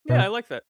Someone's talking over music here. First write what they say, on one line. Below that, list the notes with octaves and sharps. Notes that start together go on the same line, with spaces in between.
Yeah, I like that.
B2